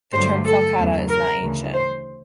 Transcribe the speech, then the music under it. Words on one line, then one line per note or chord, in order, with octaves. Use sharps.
The term "falcata" is not ancient.
G2 D3 F#3 A3 C5
A4
E2 C#3 F#3 A3
A#4
D2 C#3 E3
C5